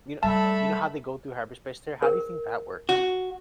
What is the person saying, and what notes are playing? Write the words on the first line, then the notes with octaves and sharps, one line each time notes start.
You kno uh, you know how they go through hyperspace there? How do you think that works?
G3 A3 E5 A5 B5
A#4
F#4